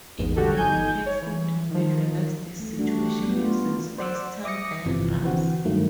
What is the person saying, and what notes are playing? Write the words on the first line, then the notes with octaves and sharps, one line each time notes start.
It may be helpful to visualize this situation using spacetime diagrams.
A1 E2 G#2
D3 F#4 G4 A4
G1 D#4 G#5 G6 G#6
C#5
E3
D#3 F3
A3
G3 A3 D4 F#4
G4
G3 B3
F4
C5 D5 F#5 D6 E6
E5 D6 D#6 A#6 C#7
G1 C3 E3 F3
D3 E3 C4 F#4
G2 D#3 F#3 A3 A#3